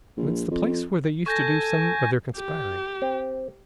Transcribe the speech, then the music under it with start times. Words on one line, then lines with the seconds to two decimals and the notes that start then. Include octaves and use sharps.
And it's the place where they used to do some of their conspiring.
0.17 A#1
0.51 F2
1.26 A4 G#5 C#6 G6 A#6
2.36 G4
3.02 C4